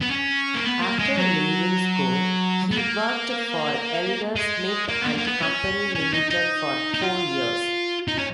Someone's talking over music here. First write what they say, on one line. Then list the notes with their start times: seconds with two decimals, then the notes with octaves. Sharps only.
After leaving school, he worked for Elder, Smith and Company Limited for four years.
0.02 B3
0.11 C#4
0.55 A#3
0.64 B3
0.81 A#3
0.99 G#3
1.17 F#3
2.71 B3
2.76 A#3
4.36 G#3
4.88 A#3
5.01 B3
5.07 A#3
5.18 A#3
5.24 B3
5.42 C#4
5.95 C#4
6.13 D#4
6.30 D#4
6.94 D#4
7.02 F4
8.08 D#4
8.19 C#4